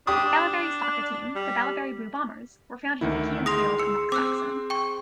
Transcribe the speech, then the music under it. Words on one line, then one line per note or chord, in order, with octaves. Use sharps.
Bellavary's soccer team, the Bellavary Blue Bombers, were founded in McKeown's Field Knocksaxon.
D4 G4 D6 D#6
G3
D2 D#3 E4
G#4 C6 D#6 A#6 F7
E6 C#7
C4 D6 E6 F#6
G5 C#6